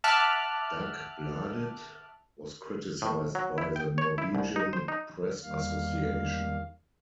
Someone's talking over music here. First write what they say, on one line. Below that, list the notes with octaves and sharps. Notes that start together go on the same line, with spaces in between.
"Dagbladet" was criticized by the Norwegian Press Association.
E5 F#5 A5 D6 F6 F#6
A2
F#3
E4
G5
C#5
E4
C2
D#4
C5
D#4
E2 D#3 G3 A#3 F5